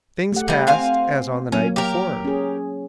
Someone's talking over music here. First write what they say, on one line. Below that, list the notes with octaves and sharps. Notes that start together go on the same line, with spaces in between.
Things passed as on the night before.
A3 G4 F#5
G3 D#4
C4 F5 G#5
F#3 A#3 C#4
G4 A#4
C#4 G#4